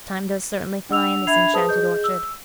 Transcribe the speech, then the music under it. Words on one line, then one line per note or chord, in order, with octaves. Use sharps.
Time does certainly fly in this enchanted orchard.
D4 F#5 E6 F7
D4 E5 B5 G#6 C7 F7
G#4 B4 C5 A5 D#6
G#4 D#5 G6
E6